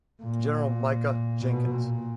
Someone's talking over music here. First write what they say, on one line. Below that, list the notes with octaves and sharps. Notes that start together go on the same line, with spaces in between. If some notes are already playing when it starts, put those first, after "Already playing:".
General Micah Jenkins.
A#2
B2
A#2